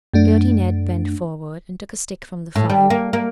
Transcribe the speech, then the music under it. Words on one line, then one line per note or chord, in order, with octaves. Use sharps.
Beardy Ned bent forward and took a stick from the fire.
F#2 A3 D4
A2
G3
A#3
A#3